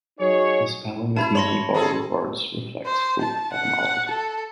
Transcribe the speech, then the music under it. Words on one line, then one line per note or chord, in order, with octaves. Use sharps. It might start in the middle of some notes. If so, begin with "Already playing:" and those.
The spelling of many borrowed words reflects folk etymology.
F#3 D#4 F#4 G#4 C#5
E4 A5 B5 G#6
C#5 B5 C6 A#6
C#4 G#4 A4
C5
A5
F#5
A4